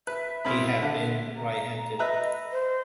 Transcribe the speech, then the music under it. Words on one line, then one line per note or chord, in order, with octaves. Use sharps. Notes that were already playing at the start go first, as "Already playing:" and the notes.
He had been right-handed.
B4 E5
C2 C4 B5
D3
A#5
B4 D#5 E5 A#5
C5